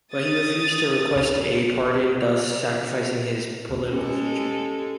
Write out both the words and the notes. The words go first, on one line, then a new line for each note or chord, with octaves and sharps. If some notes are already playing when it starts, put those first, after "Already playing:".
But he refused to request a pardon, thus sacrificing his political future.
D#6 A6
G#3 C#4 G4 A4